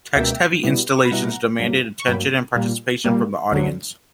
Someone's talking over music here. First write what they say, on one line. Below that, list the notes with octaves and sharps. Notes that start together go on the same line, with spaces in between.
Text-heavy Installations demanded attention and participation from the audience.
C#2 B2 A#3 E5 G5
B2 G3 B3 E4
D6
C#6
B5
B2 G3 B3 E4 F#5 A#5
G2 F#3 A#3
C#6
G2 F#3 A#3 G5 B5
A#2 G3 A#3
A#2 G3 A#3
D2 D3 F#3